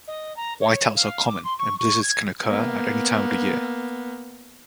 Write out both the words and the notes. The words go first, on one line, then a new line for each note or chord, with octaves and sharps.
Whiteouts are common, and blizzards can occur at any time of the year.
D#5
A#5
C#5
F5
D6
C6
C#6
C#6
G#6
A#3 B3